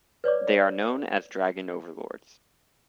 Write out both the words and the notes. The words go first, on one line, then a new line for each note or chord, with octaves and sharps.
They are known as Dragon Overlords.
B4 C#5 D5 D6